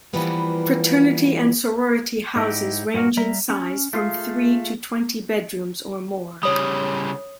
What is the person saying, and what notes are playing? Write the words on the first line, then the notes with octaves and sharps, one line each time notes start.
Fraternity and sorority houses range in size from three to twenty bedrooms or more.
E3 F3 G3 A#3 B3 F4
G#2 D#4 E4 G4
G2 A#2 F#4 A#4
G3 E5 A#5
C#4
A3 F4 G#4 F5
C#3 G3 C#5 D#6